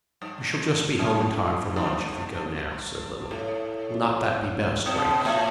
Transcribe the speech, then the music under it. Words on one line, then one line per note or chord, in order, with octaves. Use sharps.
"We shall just be home in time for lunch if we go now," said Lily. "Will not that be best, Grace?"
G2
F#2
G2
A2
B2
C#3
B2
A2